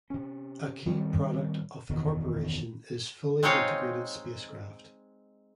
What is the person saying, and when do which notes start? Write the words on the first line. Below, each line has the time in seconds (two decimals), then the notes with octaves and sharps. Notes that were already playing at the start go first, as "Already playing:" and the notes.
A key product of the corporation is fully integrated spacecraft.
0.10 C3 C#4
0.86 A2 D#3 G3 C4
1.90 F#1 E2 B2 D#3
3.43 G#3 C4 D#4 C#5 F5